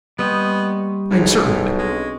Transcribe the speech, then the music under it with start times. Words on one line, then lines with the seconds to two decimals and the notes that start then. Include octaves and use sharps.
"I am certain of it."
0.19 G3 A#3 B3 D#5 G5 C6 C#6
1.11 B1 G#2 E4
1.79 G#3 C4 D4 C#6